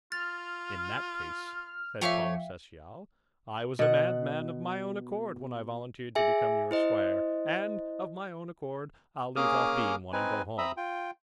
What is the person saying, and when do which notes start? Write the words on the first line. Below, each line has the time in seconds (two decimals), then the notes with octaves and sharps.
"In that case," said Tom Cecial, "I was a madman of my own accord when I volunteered to become your squire, and, of my own accord, I'll leave off being one and go home."
0.12 F4 F6 A6
2.01 F3 A3 C#5 E5 F5 G5 D6
3.79 B2 F#5
6.15 G#4 E5 G#5
6.71 E4 C5 D#5
9.36 A#3 C#4 G#4 D6 D#6 F6
10.13 C4 D#4 B4 G#5
10.58 C4 E5 A#5 B5 D#6 E6
10.77 F4 G5